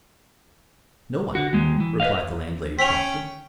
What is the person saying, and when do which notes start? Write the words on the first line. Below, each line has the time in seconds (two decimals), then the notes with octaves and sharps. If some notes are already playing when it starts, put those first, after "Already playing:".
"No one," replied the landlady promptly.
1.35 D3 F#4
1.53 D#2 G#3
1.80 E3
2.00 B4 C5 D#5 F5
2.79 C#4 G5 B6 F7